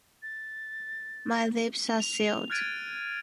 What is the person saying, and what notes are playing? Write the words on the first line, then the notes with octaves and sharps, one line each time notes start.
My lips are sealed.
A6
F7
F6 F#6 G#6 A6 D7 D#7